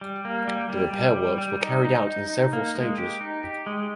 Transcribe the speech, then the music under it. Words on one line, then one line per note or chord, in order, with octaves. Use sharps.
The repair works were carried out in several stages.
G3
A#3
G3
G3
G3
G3
G3
D#4
D#4
D#4
D#4
A#3
G#3
G4
D#4
G4
G#3